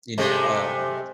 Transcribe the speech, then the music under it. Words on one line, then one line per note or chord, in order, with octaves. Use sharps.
you know, um,
C3 G#3 A3